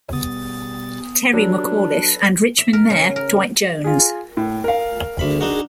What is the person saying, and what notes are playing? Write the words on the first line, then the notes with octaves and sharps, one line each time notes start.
Terry McAuliffe and Richmond Mayor Dwight Jones.
B2 G3 B3 D#6 A6
F#3 D4 G4 A4 B4 D5
E5
A#4
C#3
A#4
F4 G#4
A2
A#4 F5
D2 B5
D4 D#4 F#4